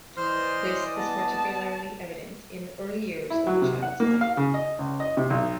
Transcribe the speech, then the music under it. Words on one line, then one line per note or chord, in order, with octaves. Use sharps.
This is particularly evident in the early years of the child's life.
E3 C5 D5 D#5 C6 F6
B3 A5
E4
F#3
C3
F#5
A#3
F5
C#3
D#5
C#2
D#5
C3
B1